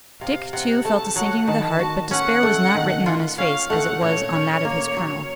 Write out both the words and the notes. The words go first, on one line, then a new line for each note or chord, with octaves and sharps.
Dick, too, felt a sinking of the heart, but despair was not written on his face as it was on that of his colonel.
C3 F5
C3 F#5
A3 A5
F#3 F#5
D#3 A5
F#4
C#4 F#5
A3
D#3
F4
C#4 F5
A3 F#5
A#2 C#5
C#4
A#3
F#3